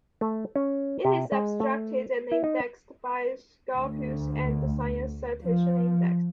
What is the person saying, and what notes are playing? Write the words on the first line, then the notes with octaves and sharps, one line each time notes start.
It is abstracted and indexed by Scopus and the Science Citation Index.
A3
C#4
C3
G#3
A3
E4
D#4
D2
F3